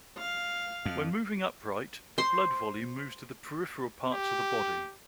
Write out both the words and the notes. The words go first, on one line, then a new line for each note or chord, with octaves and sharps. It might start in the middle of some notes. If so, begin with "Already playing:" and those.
When moving upright, the blood volume moves to the peripheral parts of the body.
F5
F2
C5 C6
G4